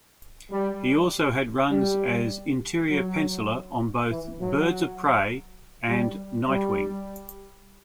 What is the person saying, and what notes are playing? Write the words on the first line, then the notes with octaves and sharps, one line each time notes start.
He also had runs as interior penciler on both "Birds of Prey" and "Nightwing".
G3
G3
F#3
E3
F#3
G3
G3